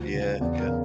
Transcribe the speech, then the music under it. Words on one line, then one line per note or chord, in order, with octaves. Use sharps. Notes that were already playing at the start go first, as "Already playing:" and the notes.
Yeah, yeah.
Already playing: D2 F3
C#3
E2 D5
A#4
C#3